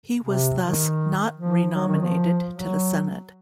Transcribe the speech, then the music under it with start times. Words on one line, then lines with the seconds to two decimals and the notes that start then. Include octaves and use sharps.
He was thus not renominated to the Senate.
0.22 C3
0.61 D#3
1.37 F3
1.75 F#3
1.88 D#3
2.01 F3
2.52 F#3